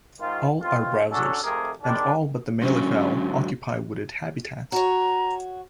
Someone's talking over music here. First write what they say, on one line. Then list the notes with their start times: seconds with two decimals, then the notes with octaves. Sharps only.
All are browsers, and all but the malleefowl occupy wooded habitats.
0.20 G#2 D#3 F4
0.62 A1 D#3 C4 F4
1.11 D3 F#3 C#4 D4 F#4 A4
1.43 F2 C3 A3 G4 G#4 A#4
1.82 D#3 G3 G#3 D4
2.62 G#2 D3 F#3 C#4
4.72 F#4 C#5 A#5